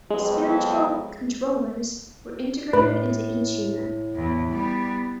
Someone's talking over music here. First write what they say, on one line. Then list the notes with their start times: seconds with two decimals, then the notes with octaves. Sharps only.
Spiritual "controllers" were integrated into each unit.
0.11 F2 F#3 G#3 B3
2.73 A2 B4
4.15 E2
4.51 G3 B3